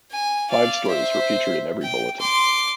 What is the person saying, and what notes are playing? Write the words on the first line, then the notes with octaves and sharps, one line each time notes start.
Five stories were featured in every bulletin.
G#5
D5 F5
C5 E5
G5
C6 D6